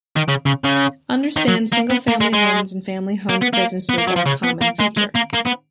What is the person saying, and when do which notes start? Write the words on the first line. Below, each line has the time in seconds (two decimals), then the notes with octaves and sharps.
Understated single-family homes and family-owned businesses are a common feature.
0.16 D#3
0.28 C#3
0.46 C#3
0.64 C#3
1.37 D#3
1.48 F#3
1.73 A#3
1.90 B3
2.08 A#3
2.21 G#3
2.33 G#3
3.29 A#3
3.42 B3
3.53 A#3
3.89 B3
3.98 A#3
4.07 F#3
4.16 F3
4.26 C#3
4.44 B3
4.61 A#3
4.80 G#3
4.97 G#3
5.15 A#3
5.33 A#3
5.46 B3